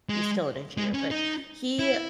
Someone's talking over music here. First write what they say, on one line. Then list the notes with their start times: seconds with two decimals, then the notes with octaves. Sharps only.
He's still an engineer, but he
0.09 G#3
0.78 G#3
0.94 C#4
1.11 D#4
1.79 E4